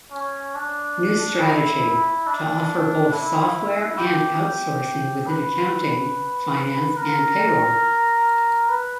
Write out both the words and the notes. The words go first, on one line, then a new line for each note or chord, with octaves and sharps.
New strategy: To offer both software and outsourcing within accounting, finance and payroll.
C#4
D4
E4
D4
E4
G4
G4
B4
A#4
B4